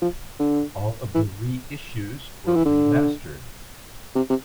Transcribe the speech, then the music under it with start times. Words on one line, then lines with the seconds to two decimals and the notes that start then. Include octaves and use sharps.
All of the reissues were remastered.
0.02 F3
0.39 D3
1.15 E3
2.47 F3
2.56 E3
2.65 D3
4.15 C3
4.30 C3